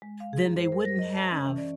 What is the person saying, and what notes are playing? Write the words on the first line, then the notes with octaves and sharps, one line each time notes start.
then they wouldn't have
G#3
F5
G#4
F#2
C5
A#4
A#6
D#5
A5
C#4
E3
D5